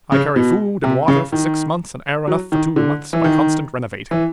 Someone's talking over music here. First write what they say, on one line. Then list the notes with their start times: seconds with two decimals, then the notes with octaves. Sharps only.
I carry food and water for six months and air enough for two months by constant renovating.
0.12 C#3
0.36 B2
0.84 C3
1.08 C#3
1.32 D#3
2.28 F#3
2.52 D#3
2.76 D3
3.13 E3
3.24 D#3
4.11 E3